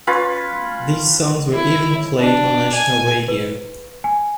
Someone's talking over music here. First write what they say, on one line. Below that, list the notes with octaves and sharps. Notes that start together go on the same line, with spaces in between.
These songs were even played on national radio.
C#4 F4 B4
E4
D4
G#5
B4
G#5